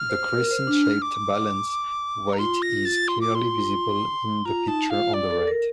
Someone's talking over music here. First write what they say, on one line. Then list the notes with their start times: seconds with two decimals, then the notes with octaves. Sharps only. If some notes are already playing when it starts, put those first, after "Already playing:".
The crescent-shaped balance weight is clearly visible in the picture on the right.
Already playing: F6
0.10 C5
0.33 A#4
0.51 C5
0.67 D4
1.02 D6
2.33 A#5
2.38 F4 C6
2.62 A#6
2.85 A6
3.08 C6
3.21 D6
3.35 C6
4.45 F4 A#5
4.68 D#4 A5
4.90 F4 F5
5.14 D5
5.31 A4
5.47 A#4